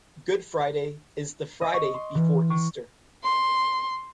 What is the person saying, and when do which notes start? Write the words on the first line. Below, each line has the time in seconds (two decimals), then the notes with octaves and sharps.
Good Friday is the Friday before Easter.
1.61 D#5
1.74 C#6
1.94 C6
2.15 E3
2.50 C#6
3.24 C6